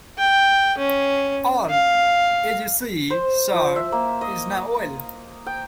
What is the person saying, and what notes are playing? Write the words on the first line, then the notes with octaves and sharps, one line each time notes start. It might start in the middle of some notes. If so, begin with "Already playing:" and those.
All, as you see, sir, is now well.
G5
C#4
F5
C5
F3
E5
A#3
D#5
G5